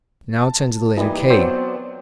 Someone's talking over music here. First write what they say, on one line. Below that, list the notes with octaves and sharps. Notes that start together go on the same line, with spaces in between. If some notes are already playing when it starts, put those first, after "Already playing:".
Now turn to the letter k.
A5
E3 G3 A#3 D#4
F#3 B3 C4 C5 D5